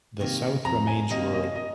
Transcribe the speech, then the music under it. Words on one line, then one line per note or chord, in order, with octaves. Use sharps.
The south remains rural.
C3 D#3 A#3
F2 A#5
G#5
C3 D#3 A#3 D#5
D#5
D#5